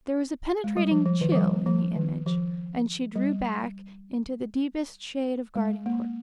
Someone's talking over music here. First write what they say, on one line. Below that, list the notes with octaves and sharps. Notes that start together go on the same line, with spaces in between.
There was a penetrating chill in the image, and she drew back into the deepest shade of Gardencourt.
G#3
G3
F3
F3
D#3
F3
G3
F3
D#3
F3
G3
G#3
A#3